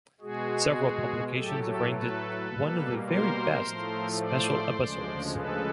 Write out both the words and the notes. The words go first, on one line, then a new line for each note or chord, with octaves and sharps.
Several publications have ranked it one of the best very special episodes.
B2 G#3 F#4 G#4
A2 F#3 A3 G4 A4
G4 A4
A4 B4
B2 G3 A#3
A#4 C5
A2 F3 A3
C5 D5
D2 C#3 F3 G#3
A4 B4